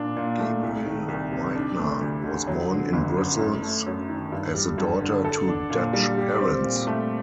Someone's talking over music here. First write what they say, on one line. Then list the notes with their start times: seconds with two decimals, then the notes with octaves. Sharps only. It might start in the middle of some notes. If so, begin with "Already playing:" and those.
Gabrielle Weidner was born in Brussels as the daughter to Dutch parents.
Already playing: A#2 D4
0.17 A#2
0.40 A3
0.63 C2
0.86 D#3
1.08 C2
1.32 C3
1.55 D4
1.78 A3
2.01 D2
2.24 D3
2.47 F#3
2.70 D3
2.93 G1
3.17 F#2
3.39 F#2
3.62 A3
3.86 F#2
4.09 D#3
4.32 G2
4.55 G3
4.78 G2
5.01 D3
5.25 A4
5.48 D4
5.70 A#2
5.93 G3
6.17 G4
6.40 C4
6.63 A#2
6.87 A3